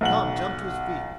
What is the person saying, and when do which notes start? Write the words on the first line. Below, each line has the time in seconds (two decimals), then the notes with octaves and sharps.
Tom jumped to his feet.
0.01 B1 F#5 F#7